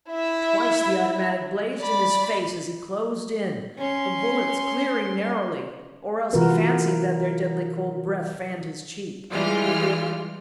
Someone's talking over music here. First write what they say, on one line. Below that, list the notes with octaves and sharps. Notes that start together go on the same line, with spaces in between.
Twice the automatic blazed in his face as he closed in, the bullets clearing narrowly--or else he fancied that their deadly cold breath fanned his cheek.
E4 E5
D5 B5
C#4 C6
C3 E3 F4 F#4 A#4 B4
E3 G3 G#3 F4 F6